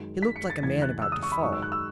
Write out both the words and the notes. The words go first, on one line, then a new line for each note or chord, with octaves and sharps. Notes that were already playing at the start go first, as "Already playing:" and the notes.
He looked like a man about to fall.
Already playing: F#2 D#3 G#3
B6
C#7
A6
E2 C#3 E3 G#3 G#6
F#6
E6
D#6
C#6
B5
F#2 D#3 G#3 C#6
E6
F#6
E6